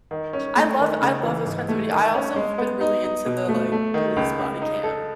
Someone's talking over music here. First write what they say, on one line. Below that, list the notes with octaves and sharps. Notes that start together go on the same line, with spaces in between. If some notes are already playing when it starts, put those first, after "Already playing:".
I love I love those kinds of videos. I also have been really into the, like, police body cam
D#3
C#4
A3
D#3
C#3
E3
G#2
A3
D#3
C#4
G#3
B3
D#4
D#4
B2
A3
A3
D#3
C#2
C#2
D#4
A4